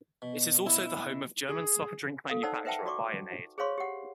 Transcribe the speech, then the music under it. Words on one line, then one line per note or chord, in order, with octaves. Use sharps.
It is also the home of German soft drink manufacturer Bionade.
B2
E4
G#4
A4 F5
D#4 C5 D5 F#5 A5 E6
B4 C5 E5 F#5 G5 A5
F#4 D5 C#6 D6
G#4 C5 C#5 F5 C6 C#6
G4 F#5